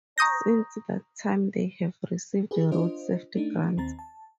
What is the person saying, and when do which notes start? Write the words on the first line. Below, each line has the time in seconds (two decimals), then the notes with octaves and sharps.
Since that time they have received road safety grants.
0.18 A#5 C#6 D#6 G6 A#6
2.51 G4 G#4 B4
2.72 D4 F4 C5 D#5
3.36 A3 D4 D#4
3.77 D#2 C4 A#5 A6
3.99 A5